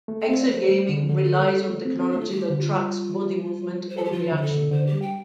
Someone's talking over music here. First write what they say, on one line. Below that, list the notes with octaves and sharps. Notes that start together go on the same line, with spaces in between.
Exergaming relies on technology that tracks body movement or reaction.
A3
G5
C4 F5
D5
A3 C5
G3
D3
F3
D3 A4
G4
A4
G3
A3
C4
C4
A3 D4
F4
G3 G4
D3
F4
G3
C5
A4
G4
F3 F4
D3
C5
A4
D3
D3 C5
G4
G3
G5